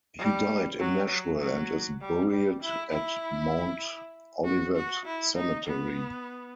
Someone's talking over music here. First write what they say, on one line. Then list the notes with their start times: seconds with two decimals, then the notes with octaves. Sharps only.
He died in Nashville and is buried at Mount Olivet Cemetery.
0.18 G3
0.79 F#3
1.09 F#3
1.40 F#3
2.01 G3
2.31 G3
2.62 E4
2.92 E4
4.44 F#4
4.75 F#4
5.05 E4
5.36 D#4
5.67 B3